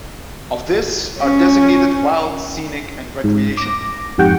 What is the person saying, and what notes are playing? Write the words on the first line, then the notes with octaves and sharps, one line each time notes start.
Of this, are designated "wild", "scenic", and "recreational".
C#4
G#2
D6 A#6
F2 G#2 G4 F#5 G5 C#6